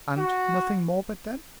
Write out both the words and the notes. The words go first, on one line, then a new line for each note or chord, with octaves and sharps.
"And nothing more but them?"
F#4